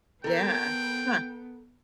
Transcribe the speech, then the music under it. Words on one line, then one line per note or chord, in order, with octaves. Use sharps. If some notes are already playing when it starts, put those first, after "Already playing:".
Yeah. Huh.
B3 A4 A#4 G5